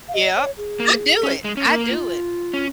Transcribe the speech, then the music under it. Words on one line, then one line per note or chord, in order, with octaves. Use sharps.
yep. I do it. I do it.
F5
D#5
C#5
G#4
A#3
C#4
G#3
C#4
A#3 A#4
F4
C#4